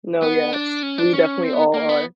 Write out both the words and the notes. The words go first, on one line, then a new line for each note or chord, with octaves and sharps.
No, yes. We definitely all are.
B3
D4
C#4
D4
C#4
C4
B3
A#3
B3